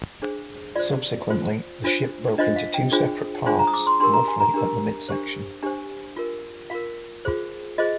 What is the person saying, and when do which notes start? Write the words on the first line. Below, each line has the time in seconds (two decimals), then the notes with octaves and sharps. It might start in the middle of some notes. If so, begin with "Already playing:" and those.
Subsequently, the ship broke into two separate parts, roughly at the midsection.
0.22 D4 G#4 C5
0.76 F4 C5 D5
1.30 F4 C5
1.84 D4 F4 C5
2.38 D4 F4 C5 D#5
2.56 F5
2.74 G5
2.92 D4 F4 G#4 C5
3.46 D4 F4 G#4 C5 G#5
3.59 A#5
3.67 D#6
3.74 D6
3.87 C6
4.00 D4 G4 A#4 C6
4.14 A#5
4.28 G#5
4.40 A#5
4.54 D4 G4 A#4
5.08 D4 G4 C5
5.63 D4 G4 C5 G#5
6.16 F4 A#4
6.70 F4 A#4 F5
7.25 F4 G#4 C5
7.78 F4 G#4 C5 D#5